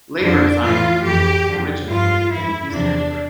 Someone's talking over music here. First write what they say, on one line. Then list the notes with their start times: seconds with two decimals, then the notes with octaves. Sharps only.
Labor Zionism originated in Eastern Europe.
0.21 F2 D3 F3 D4
0.63 A2 E3 F4
1.05 F2 E3 G4
1.47 F2 D3 F3
1.88 G2 F3 F4
2.29 F2 E3 E4
2.71 E2 C3 F3 D4